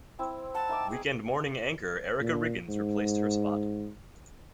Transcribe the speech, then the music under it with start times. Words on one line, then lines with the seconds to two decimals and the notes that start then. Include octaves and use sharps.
Weekend morning anchor Erica Riggins replaced her spot.
0.19 C4 E4
0.54 F#5 A5
0.69 D#4 E5 D6
0.90 G#4
2.21 A#2
2.69 G#2